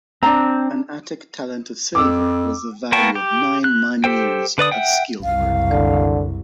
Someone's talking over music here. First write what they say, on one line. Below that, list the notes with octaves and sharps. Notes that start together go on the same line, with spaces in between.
An Attic talent of silver was the value of nine man-years of skilled work.
C4 D4 A#5
F2 D6 E6
A#3 B3 G5 A5 C#6
G4
F#6
G4 A4 C5 G5
D3 B4 D5 D#6
E5 F#5 G5
F#1 C2 F5
D3